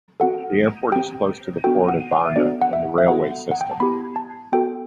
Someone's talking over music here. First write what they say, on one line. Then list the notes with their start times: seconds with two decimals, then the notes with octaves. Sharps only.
The airport is close to the Port of Varna and the railway system.
0.20 C4 F#4 A4 F#5
0.92 C4 G4 G5
1.64 B3 D4 F#4 A4 G5
1.88 F#5
2.12 F#5
2.25 E5
2.36 B3 D4 F#4 A4 D5
2.62 F#5
2.73 E5
2.98 E5
3.08 B3 F#4 A4 F#5
3.51 F#5
3.61 G5
3.71 A5
3.80 B3 E4 G4 B5
4.16 A5
4.52 B3 F#4 A4 G5